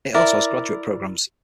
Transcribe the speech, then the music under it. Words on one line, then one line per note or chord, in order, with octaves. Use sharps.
It also has graduate programs.
E4 A#4 D5